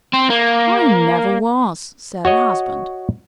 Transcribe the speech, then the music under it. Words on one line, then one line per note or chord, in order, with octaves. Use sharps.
"I never was," said her husband.
C4
A#3
F#4 C#5 D#5